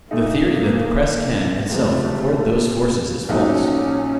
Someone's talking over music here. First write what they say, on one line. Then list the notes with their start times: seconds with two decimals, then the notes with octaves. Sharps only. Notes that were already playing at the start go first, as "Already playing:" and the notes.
The theory that the press can itself record those forces is false.
0.11 A#2 A3 A#3 D#4
1.70 C#2 C3 F3 A3
2.49 A#3
3.29 A#1 A#2 F#3 A3 C#4 D#4